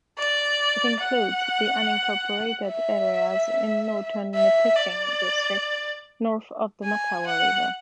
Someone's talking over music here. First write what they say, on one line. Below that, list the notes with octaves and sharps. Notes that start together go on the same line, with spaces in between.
It includes the unincorporated areas in northern Nipissing District north of the Mattawa River.
D5
F#5
E5
E5
D5
G#5
F#5